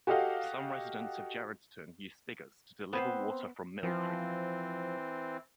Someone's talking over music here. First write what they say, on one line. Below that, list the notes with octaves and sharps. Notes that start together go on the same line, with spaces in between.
Some residents of Gerrardstown use spigots to deliver water from Mill Creek.
F#4 G4 A4 D#5 F5 F#5
B3 C4 B4 C5
E3 F3 C4